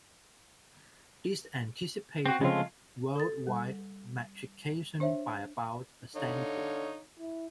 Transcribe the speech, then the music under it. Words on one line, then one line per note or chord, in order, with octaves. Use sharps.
This anticipated worldwide metrication by about a century.
C4 F#4
C#3 F3 G#3 A3 C4 F4
A4 D#6 A6
G3
D4 C5 C#5 E5
D3 D#4 C#5 F5
E4